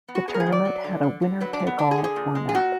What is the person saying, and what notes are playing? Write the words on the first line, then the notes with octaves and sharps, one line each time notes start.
The tournament had a winner-take-all format.
B3
F#4
B3 G#4
A#4
G#4
D#3
D5
F#3
D3
D3
D3
F#3 B4
D4
D3
B3
D3 D4
G#4
D3
G#4
A#2
G#3
G#4
A#2 F#4